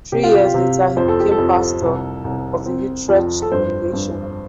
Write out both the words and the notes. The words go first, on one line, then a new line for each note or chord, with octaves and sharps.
Three years later he became pastor of the Utrecht congregation.
C3 G4
F4
G4
C3
F2 C5
A4
G4
A4
F2
C2
C2
C4
F2
A4
G2 C5
G2